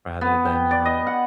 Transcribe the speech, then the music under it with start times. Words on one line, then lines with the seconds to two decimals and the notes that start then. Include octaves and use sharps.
rather than, you know,
0.21 B3
0.45 G5
0.71 D5
0.85 D#5
1.07 F#5